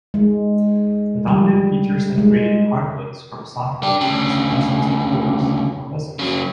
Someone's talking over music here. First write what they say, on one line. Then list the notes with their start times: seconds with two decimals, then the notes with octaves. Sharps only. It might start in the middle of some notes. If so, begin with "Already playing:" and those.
The dominant feature separating "hardwoods" from softwoods is the presence of pores, or vessels.
0.14 G#3
1.27 G3
2.18 G#3
3.83 D4 G4
4.01 D2 C#3
6.19 C#3 F#3